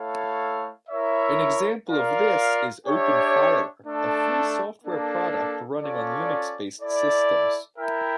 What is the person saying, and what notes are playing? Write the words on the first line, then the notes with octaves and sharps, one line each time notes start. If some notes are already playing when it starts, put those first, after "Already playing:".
An example of this is Openfiler, a free software product running on Linux-based systems.
Already playing: A3 E4 A4 C#5 F5
E4 A#4 C#5 E5
F4 A#4 D5 F5
D4 G4 C#5 E5
A3 D4 A4
A#3 D4 A4
C#4 F4 A4 D5
E4 A4 D5
E4 A#4 E5 G5